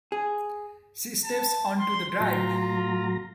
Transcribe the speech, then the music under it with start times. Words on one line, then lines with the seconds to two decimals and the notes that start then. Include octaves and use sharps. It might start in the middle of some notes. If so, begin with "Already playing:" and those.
She steps on to the drive.
0.12 G#4
1.25 A5
1.79 C6
2.20 A2 F#3 F4 A#5